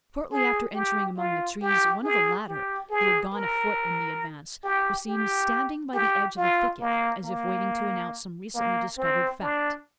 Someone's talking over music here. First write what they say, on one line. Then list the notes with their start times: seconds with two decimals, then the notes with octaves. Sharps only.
Shortly after entering among the trees, one of the latter, who had gone afoot in the advance, was seen standing by the edge of the thicket, as if waiting to announce some recently discovered fact.
0.31 G#4
0.74 G4
1.17 F4
1.61 G4
2.04 G#4
2.48 G4
2.90 G#4
3.34 A#4
4.64 G4
5.08 G4
5.94 G4
6.37 F4
6.81 A#3
7.24 A#3
8.54 A#3
8.98 C4
9.41 D4